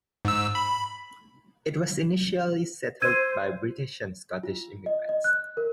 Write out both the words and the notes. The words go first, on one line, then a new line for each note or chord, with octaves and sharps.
It was initially settled by British and Scottish immigrants.
G#2 E6
B5
C5 E6 G#6 D#7
F4
D#5
D#5
F#6
A#4